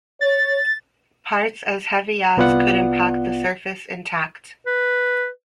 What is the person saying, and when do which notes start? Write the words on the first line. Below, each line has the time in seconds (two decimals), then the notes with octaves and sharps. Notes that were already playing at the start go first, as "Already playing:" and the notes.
Parts as heavy as could impact the surface intact.
0.21 C#5 A6
2.37 C2 B3 F4 D5 F#5
4.66 B4